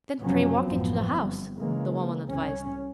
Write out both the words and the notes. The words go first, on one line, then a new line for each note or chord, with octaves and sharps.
"Then pray walk into the house," the woman advised.
F#1 C3 F3 F#3 B3 C#4
A1 F#2 F3 B3 C4
G1
C#3 E3 G#3 A#3
C2 C#4